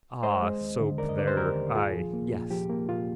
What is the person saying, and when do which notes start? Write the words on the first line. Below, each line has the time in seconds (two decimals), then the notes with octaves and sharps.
Ah soap there I yes.
0.23 G#3 C5 D#5
0.42 G#3
0.61 D#2
0.80 D3
0.98 D#2 A#4 D5
1.09 D#5
1.18 D3 D5
1.27 C5
1.37 D#2 G4 A#4
1.56 D#2
1.75 A#2 F4 G#4
1.93 F3
2.13 A#3
2.31 A#2
2.51 F3 G4
2.70 A#3
2.88 A#2 F4